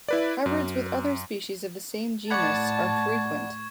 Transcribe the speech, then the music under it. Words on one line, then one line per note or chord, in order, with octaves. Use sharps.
Hybrids with other species of the same genus are frequent.
E4 B4 D5
F#2
A2 D5 F#5 A5 B5 C#6 G#6